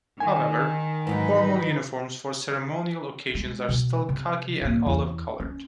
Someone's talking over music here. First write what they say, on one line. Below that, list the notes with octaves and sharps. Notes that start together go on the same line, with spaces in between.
However, formal uniforms for ceremonial occasions are still khaki and olive-colored.
D#3 G#5
G#2 E3 F#3 D#4 B4
G#3
B2
C3
A1 A#3
E2
C#4